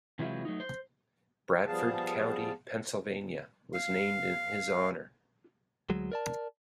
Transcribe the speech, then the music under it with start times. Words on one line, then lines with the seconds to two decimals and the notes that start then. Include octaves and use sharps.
Bradford County, Pennsylvania, was named in his honor.
0.19 C3 E3 F#3 G#3 E4 F4
0.45 F#3 A3 D#4
0.60 C5
1.67 F3 G3 B3 G#4 F5 A5
3.74 F5
5.90 D2 F#3 G#3
6.12 A#4 D5 A5